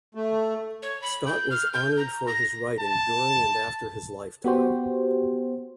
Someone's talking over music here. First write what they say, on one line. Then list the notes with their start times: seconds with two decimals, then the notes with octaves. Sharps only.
Scott was honoured for his writing during and after his lifetime.
0.15 A3
0.82 C#5
1.02 B5
1.26 G6
1.50 F6
1.73 G6
1.97 A#5
2.27 A#6
2.79 A5
4.44 B3 F#4 G4 C5